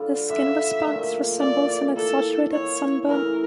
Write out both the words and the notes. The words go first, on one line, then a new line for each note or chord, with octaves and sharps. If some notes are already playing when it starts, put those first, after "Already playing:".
The skin response resembles an exaggerated sunburn.
Already playing: D3 G3 D4 F4
D3 G3 D4 F4 E5
A#2 F3 A3
A#2 F3 A3 D5
E3 A#3 E4 A4
E3 A#3 E4 C#5
C#3 E3 A3 A#4